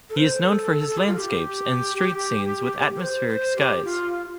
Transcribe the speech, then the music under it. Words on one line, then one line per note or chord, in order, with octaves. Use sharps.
He is known for his landscapes and street scenes with atmospheric skies.
A4
C5
A4
A4
G4
F4
G4
C5
C5
G4
F4